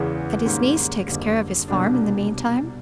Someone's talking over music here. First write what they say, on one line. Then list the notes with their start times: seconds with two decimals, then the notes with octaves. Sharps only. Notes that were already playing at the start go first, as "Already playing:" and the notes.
"And his niece takes care of his farm in the meantime?"
Already playing: E2 C#3 E3 G#3 B3
0.45 G#2 D#3 G3 A#3 C#4
1.07 F2 D3 G3 A#3
1.68 C2 B2 G3 A#3 D4